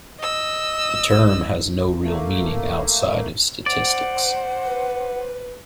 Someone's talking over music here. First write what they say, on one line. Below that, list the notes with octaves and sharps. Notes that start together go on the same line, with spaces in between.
The term has no real meaning outside of statistics.
D#5 E6
A3 A#3
C5 D5 F#5
B4